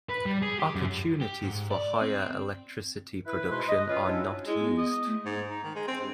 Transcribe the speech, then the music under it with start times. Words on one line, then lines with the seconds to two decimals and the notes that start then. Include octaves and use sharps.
Opportunities for higher electricity production are not used.
0.09 B4
0.26 G3
0.42 G#4
0.59 G4
0.75 F#2
1.21 G4
1.43 G#2
1.71 D5
2.01 C4
3.26 E4 B4
3.50 G#2 B2 G#3 B4 C6
3.68 D#5
3.89 C#4 F4 B4
4.05 F#3 C#4 D4 E4
4.47 G#3 E4
4.62 B3
4.78 D#5
5.05 A3
5.25 G#2
5.50 D#4
5.64 D#3
5.75 G#3
5.88 C4
6.01 G2